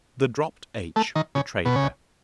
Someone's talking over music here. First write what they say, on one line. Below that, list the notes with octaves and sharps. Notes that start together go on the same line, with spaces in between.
The dropped "h" betrayed her.
A3
D#3
C#3
B2
C#3